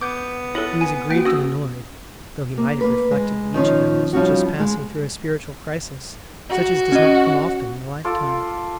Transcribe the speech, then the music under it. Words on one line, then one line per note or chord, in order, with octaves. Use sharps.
He was aggrieved and annoyed, though he might have reflected that each of them was just passing through a spiritual crisis such as does not come often in a lifetime.
B3 D6 G6
E4 A4 B4 C#5
G#5
A#3 F#4 G5
C#4 F#4 D#6 E6
A#3
A#3 B4
G#3
D#3 F3 C#4 D#4
F3 G3 C#4 D#4 F4 F#4
G#3
F#4
C#4 D#5
F4 A4 D6